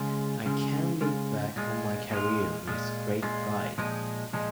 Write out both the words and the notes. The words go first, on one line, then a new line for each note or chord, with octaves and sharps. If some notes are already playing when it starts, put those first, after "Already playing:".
I can look back on my career with great pride.
Already playing: C#3 G#3 F4
C#3 G#3 F4
C#3 G#3 F4
A#2 G#3 F4
A#2 G#3 F4
A#2 G#3 F4
A#2 G#3 F4
A#2 F3 G#3 D#4
A#2 F3 G#3 D#4